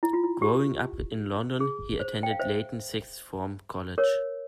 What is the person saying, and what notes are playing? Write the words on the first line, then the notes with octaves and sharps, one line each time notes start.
Growing up in London, he attended Leyton Sixth Form College.
E4
F4
E4
G4
G#4
C5
G5
F5
C5 E5
A#4 C#5